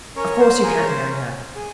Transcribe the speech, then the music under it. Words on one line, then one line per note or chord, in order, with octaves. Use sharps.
Of course you can't marry her.
C#4 A#4 C#5
C5
G#4 A#4
C#5
C5
C#4
G#4